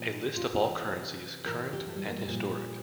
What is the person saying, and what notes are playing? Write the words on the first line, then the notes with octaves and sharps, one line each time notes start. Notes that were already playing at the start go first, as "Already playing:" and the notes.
A list of all currencies, current and historic.
Already playing: A#2 F3
F4
C3 E3
A2 E3 A#4
G4
A3
G3
A#3
G3
A#2 F3